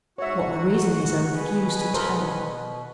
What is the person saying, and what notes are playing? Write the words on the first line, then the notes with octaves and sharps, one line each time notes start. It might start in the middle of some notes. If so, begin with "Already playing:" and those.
What my reason is, I refuse to tell.
G#2 F#4 C#5 E5 F#5
B2 G#4 B4
A4 A#4 C5